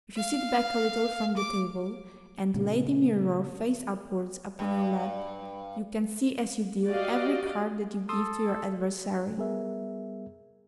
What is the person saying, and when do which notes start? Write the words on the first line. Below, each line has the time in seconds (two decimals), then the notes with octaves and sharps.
If you sit back a little from the table, and lay the mirror, face upwards, upon your lap, you can see, as you deal, every card that you give to your adversary.
0.16 F5
1.37 D6
2.54 A#2 C#3 A3
4.59 G2
6.85 F#4 G4 D5 D#5 F5
8.09 A4 C6 D#6 E6
9.38 G3 B3 G#4 A#4 E5